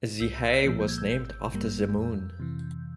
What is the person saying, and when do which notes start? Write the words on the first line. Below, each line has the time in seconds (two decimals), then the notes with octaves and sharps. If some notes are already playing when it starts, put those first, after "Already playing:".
The Hay was named after The Moon.
0.20 C2 E6 G6
0.50 E6 G6
0.64 A#2 F3 A#3
0.80 G6
0.89 G#6
0.98 E6 G6
1.09 G#1
1.53 G2 G3 A#3
1.96 F2
2.40 C3 E3